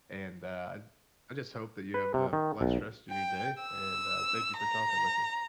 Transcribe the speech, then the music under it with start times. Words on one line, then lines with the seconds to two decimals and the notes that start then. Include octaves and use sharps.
And, uh, I I just hope that you have a blessed rest of your day and, uh, thank you for talking with me.
1.94 B4
2.14 C3
2.33 D#3
2.61 B1
3.11 G5
3.63 E6
4.58 A#5